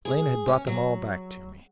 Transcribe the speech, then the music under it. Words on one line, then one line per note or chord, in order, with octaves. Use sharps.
Lena had brought them all back to me.
G#4
C#4
F#3